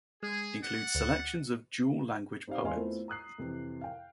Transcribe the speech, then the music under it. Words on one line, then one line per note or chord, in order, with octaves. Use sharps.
Includes selection of dual-language poems.
G#3 G#4
D5 F#5
D2
C4 D#4 G4 D5 F5
E2 G#3 D#5 F5 G#5 C6
A3 B3 C4 E4 F4 A#4
A#5 D#6 F#6 C7
F2 C3 E3
F5 G5